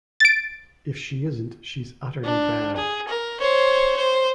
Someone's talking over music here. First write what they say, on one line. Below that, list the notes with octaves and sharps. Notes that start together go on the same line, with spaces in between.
If she isn’t she’s utterly bad.
A6 D7
D4
G#4
A#4
C5 C#5
C5